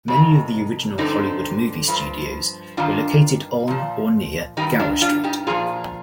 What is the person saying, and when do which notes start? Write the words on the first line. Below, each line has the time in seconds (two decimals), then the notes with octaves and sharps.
Many of the original Hollywood movie studios were located on or near Gower Street.
0.08 F2 C3 D#3
0.98 G2 D3 F3 C4 D#4
1.88 G2 F3
2.77 G2 D#3 D4 F4
3.68 A#2 F3
4.57 G2 D#3 D#4 G4
4.79 D4 F4
5.02 D4 F4
5.24 D#4 G4
5.47 A#2 F3 F4 G#4